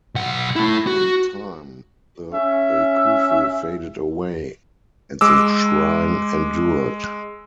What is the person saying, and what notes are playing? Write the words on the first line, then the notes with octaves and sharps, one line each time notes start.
In time, the bakufu faded away; and the shrine endured.
B1 F#5
A3 E4
F#4
C#4 E5
G#3 D6 E6